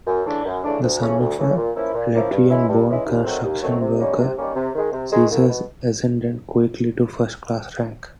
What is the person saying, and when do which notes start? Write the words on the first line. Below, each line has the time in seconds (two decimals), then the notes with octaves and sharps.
The son of a Latvian-born construction worker, Zesers ascended quickly to first-class ranks.
0.07 F#2
0.26 C#3 E3 A3 D4
0.45 F#2
0.64 C#3 E3 A3 D4
0.83 D2
1.01 C#3 E3 A3 C#4
1.20 D2
1.38 C#3 E3 A3 C#4
1.56 A#2
1.76 F3 A#3 C#4 E4
1.94 A#2
2.13 F3 A#3 C#4 E4
2.31 G2
2.51 E3 G#3 C#4 E4
2.69 G2
2.87 E3 G#3 C#4 E4
3.06 D#2
3.24 D#3 F#3 A3 C4
3.44 D#2
3.61 D#3 F#3 A3 C4
3.81 C3
3.99 D#3 G3 A#3 C#4
4.19 C3
4.37 D#3 G3 A#3 C#4
4.55 C3
4.73 D#3 G#3
4.92 C3
5.12 D#3 G#3
5.31 C2
5.48 B2